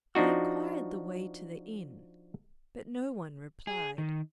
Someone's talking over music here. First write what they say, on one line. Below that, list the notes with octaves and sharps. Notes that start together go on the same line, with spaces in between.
I inquired the way to the inn, but no one replied.
F3 D4 D#4 F#4
G#4
D#3